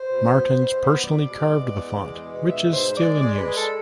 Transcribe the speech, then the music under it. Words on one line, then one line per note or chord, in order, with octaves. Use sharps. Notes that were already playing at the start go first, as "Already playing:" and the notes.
Martens personally carved the font, which is still in use.
Already playing: C5
B2
B3
B2
B3
B2 D5
G#3
B3
E2
G#3
B2
G#2 E5
G#2 C5
G#3 D5
G#3 D5
B4
G#3
A4